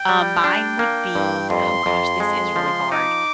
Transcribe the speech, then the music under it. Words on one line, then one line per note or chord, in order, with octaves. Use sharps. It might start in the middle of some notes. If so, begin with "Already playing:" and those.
Um, mine would be oh gosh, this is really hard.
Already playing: G5
G3
D4
A#3
G2
F2 C6
F2
G#3 C6
F3
D#4 D6